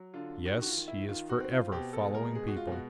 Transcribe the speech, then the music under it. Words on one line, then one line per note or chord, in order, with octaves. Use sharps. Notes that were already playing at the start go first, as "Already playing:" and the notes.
Yes, he is forever following people.
Already playing: F#3
D3 F4
D#3 F#4
F#4
F4
D#3
E4
D#3 F4
F#4
C4
F4
B2 G4
A4
G#3
A#4
G#3 G#4
F#4
F4
B2 F#4